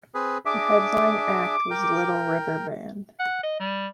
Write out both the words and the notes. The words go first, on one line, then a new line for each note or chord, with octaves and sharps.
The headline act was Little River Band.
C4 G#4 B4
D4 G#4 E5 D6
A#4 G5
F#5
D#5
G3